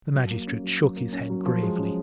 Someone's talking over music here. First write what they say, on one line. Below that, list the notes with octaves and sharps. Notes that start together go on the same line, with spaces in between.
The magistrate shook his head gravely.
F#3
A#3
C#4
F#3
F#3
A#3
C#4
F#3
F3
G#3
C#4